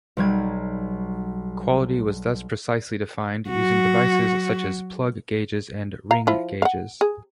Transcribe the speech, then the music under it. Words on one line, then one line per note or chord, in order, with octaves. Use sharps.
Quality was thus precisely defined using devices such as plug gauges and ring gauges.
B1 F#3 G3 G#6
F#3 F#4
F5 A#5
F3 E4
F5 F#5
G#4